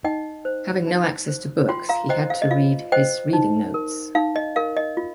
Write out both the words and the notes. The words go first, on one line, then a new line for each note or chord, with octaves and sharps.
Having no access to books, he had to read his reading notes.
D#4 D#5 G5
C5
D#4
C5
F4 G5 C6
F5 A#5
C5 D#5 G5
F5
D#5
F4 F5
C5 D#5 G5
D#4
A#4
D#4 F5
D#5
A#4 F5
D#5
F4